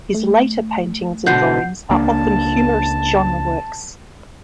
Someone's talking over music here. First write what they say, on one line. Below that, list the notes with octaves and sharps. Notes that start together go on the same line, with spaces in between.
His later paintings and drawings are often humorous genre works.
A3
G#2 B2 D3 F#5 G6 C7
C#2 A#3 D4 A5